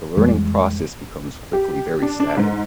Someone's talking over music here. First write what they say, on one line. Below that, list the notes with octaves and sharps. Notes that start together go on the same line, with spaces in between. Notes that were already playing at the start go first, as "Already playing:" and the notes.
The learning process becomes quickly very static.
F2 E3 G3 G#3
G4
D4
D4
G#2